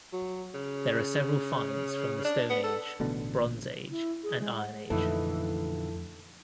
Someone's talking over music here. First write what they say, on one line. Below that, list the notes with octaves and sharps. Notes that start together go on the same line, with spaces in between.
There are several finds from the Stone Age, Bronze Age and Iron Age.
F#3
C#3
D4
B3
A4
A1 B2 D3
E4
G#4
G#3
F#5
F2 A#2 D3 E3 A3 D#4 E4 A4